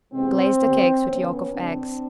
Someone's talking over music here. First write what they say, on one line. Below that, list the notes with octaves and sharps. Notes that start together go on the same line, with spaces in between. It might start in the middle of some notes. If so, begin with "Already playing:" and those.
Glaze the cakes with yolk of eggs.
C3 E3 G#3 B3 C4
D#3 G3 B3
D3 F3 A3 B3 C#4
C#3 F3 G#3 C4 D4